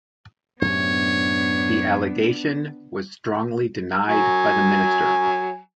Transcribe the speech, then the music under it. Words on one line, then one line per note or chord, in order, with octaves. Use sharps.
The allegation was strongly denied by the minister.
F#2 A2 C3 B3 D4 C#5
F#3 G#5